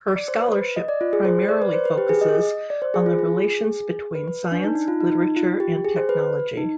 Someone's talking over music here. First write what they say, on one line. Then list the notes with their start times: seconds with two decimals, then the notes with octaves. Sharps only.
Her scholarship primarily focuses on the relations between science, literature, and technology.
0.16 D5
0.28 C5
0.40 B4
0.76 D#5
0.88 D5
1.01 F4
1.13 G#4
1.25 C5
1.49 D5
1.62 B4
1.73 C5
1.85 B4
1.98 G4
2.09 G#4
2.21 D#5
2.70 D5
2.82 C5
2.94 G#4
3.06 F4
3.19 G#4
4.15 B4
4.28 B4
4.52 D4
4.64 D#4
4.75 D#4
4.88 F4
5.00 D#4
5.12 D#4
5.36 F4
5.60 G4
5.85 G#4
5.96 C5
6.09 B4
6.57 D#4